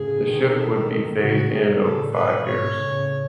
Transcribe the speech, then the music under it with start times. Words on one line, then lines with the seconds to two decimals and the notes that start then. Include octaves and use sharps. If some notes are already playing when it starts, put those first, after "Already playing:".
The shift would be phased in over five years.
Already playing: A2 C#3 G#4
0.25 B2 D#3
0.56 A4
1.19 A2 C#3 F#4
1.50 B2 D#3 G#4
1.82 A2 C#3 A4
2.13 G#2 B2 B4
2.45 G#2 B2 C#5
2.77 A2 C#3